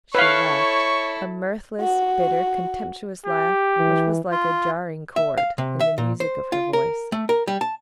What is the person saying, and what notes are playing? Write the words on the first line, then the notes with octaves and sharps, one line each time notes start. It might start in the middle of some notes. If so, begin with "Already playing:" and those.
She laughed--a mirthless, bitter, contemptuous laugh, which was like a jarring chord in the music of her voice.
E4 A4 B4 C#5 F5 C#6
F#4
G4
E3
F4
E5
F5
C3
E5
A#2
C5
F4
A#4
A3
A#4
G3
A5